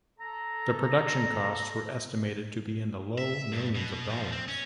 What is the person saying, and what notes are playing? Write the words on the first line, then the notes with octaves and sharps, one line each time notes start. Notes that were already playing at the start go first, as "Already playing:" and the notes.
The production costs were estimated to be in the low millions of dollars.
A4 A#5
E5
G2
B2
B2 F3
C4
C#4